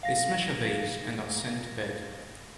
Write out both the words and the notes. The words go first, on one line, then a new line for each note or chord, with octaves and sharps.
They smash a vase and are sent to bed.
F5 A#6